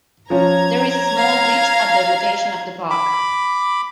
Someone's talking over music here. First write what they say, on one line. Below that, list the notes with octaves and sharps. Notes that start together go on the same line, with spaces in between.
There is a small beach at the location of the park.
F3 C#4 F4 A#5 G#6
F5
B5 D6